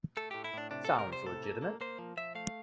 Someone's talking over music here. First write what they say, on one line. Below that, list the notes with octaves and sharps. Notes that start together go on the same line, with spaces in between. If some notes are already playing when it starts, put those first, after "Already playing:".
Sounds legitimate.
A3 A4
A2 G4
E4
A2 D4
C3 D4
G3 A4
A#4
C3
C5
A2 A4
A#3
A#3
A#3 C5
F3
F3 E5
A3 F5